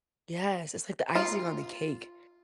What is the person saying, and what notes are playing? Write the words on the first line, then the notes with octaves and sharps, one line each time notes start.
Yes, it's like the icing on the cake
F4